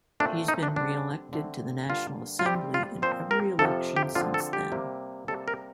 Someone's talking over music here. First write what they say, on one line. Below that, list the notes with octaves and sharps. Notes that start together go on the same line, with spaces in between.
He has been re-elected to the National Assembly in every election since then.
A#2 A3 C4 D4
D#4
D4
D3 G3 C4 D4
D3 A3 C4
G2 D3 G3 A#3 F4
F4
C3 G3 C4 G4
F4
A#2 F3 C4 C5
A#4
F2 C3 F3 A4
G4
D3 F3 C4 F4
A4
G4
C3 G3 A#3
C3 G3 A#3 A4
A#4